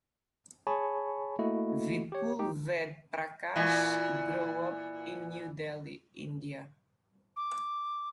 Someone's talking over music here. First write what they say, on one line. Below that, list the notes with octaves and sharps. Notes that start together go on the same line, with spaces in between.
Vipul Ved Prakash grew up in New Delhi, India.
G#4 C#5 G#5 A5 B5 C#6
A3 A#3 E4 F#4 A4 D#5
G4 C#5
D#4 G4
A#2 E3
D6